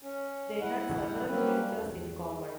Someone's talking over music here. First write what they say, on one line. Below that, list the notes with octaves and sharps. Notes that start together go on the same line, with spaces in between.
They had several features in common.
C#4
E4 F#5
F#3 G3 A#3 C4 C#4 B4
E2